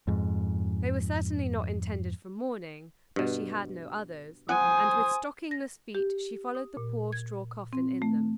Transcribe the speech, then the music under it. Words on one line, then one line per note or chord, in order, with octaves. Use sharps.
They were certainly not intended for mourning, but she had no others, and with stockingless feet she followed the poor straw coffin in them.
F2 G#2
G2 B2
C5 F#5 G#5 D#6
A#6
G4
D#6
A#2
G#6
C4
A3